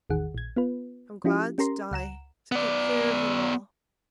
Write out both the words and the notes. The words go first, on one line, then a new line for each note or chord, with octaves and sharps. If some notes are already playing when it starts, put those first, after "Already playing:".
I'm glad to die--to get clear of it all.
A1 E2 D#3 G#4 F#5
A#1 G#6
B3 F4 B4
F3 C#4 E4 F4 G4
C#4 G4 A#4 A#5 C6
C#2 F#5 A#5 E7
B3 D5